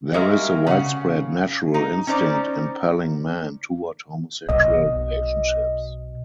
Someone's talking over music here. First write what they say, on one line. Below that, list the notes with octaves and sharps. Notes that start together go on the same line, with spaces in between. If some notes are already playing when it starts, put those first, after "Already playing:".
There is a widespread natural instinct impelling men toward homosexual relationships.
G3 G#3 F#4 A#4 E5 F5
C#3 F5 F#5
D#4
C#4 D#4 C5 D5
B1 B2 D#5